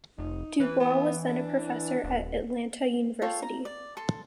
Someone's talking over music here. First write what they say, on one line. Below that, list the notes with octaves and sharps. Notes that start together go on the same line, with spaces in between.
Du Bois was then a professor at Atlanta University.
F1 D#4
E3 B4
B3
D4
D#1
F4 A4 C#5 G5
A#5
D5
A4 C6